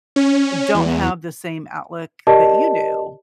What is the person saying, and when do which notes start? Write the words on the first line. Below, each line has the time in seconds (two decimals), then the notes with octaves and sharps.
don't have the same outlook that you do?
0.16 C#4
0.75 E2
2.27 G4 A#4 D5 D#5 A5